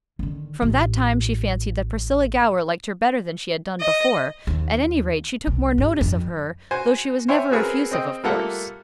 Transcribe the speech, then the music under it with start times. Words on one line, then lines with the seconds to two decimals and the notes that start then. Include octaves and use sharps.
From that time she fancied that Priscilla Gower liked her better than she had done before; at any rate, she took more notice of her, though she was never effusive, of course.
0.19 D3 D#3
0.62 A1
3.80 D#5
4.47 D#2
5.47 C2
5.78 G2
6.01 F2
6.71 F#4 C5 G#5
7.28 C5 C#5 E5 G5 G#5
7.51 C4 F#4 G#4 A#4 B4
7.91 C4 D#5 G5
8.24 G3 A3 A#3 F4 A4 F#5